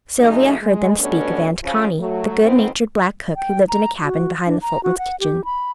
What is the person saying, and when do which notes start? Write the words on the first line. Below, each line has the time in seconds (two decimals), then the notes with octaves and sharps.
Sylvia heard them speak of Aunt Connie, the good-natured black cook, who lived in a cabin behind the Fultons' kitchen.
0.19 C#3 F#3 G#3 A3 C#4 D#4
0.61 G#3
0.99 B2 G3 A3 B3 C#4 D4
1.63 C#3 F3
1.99 F#3 A3
2.42 F2 G#2 D#3 B3 C4
3.36 G5
3.69 A#5
4.04 F#4
4.47 D4
4.62 A#5
4.83 F#4
4.98 F#5
5.20 G4
5.45 B5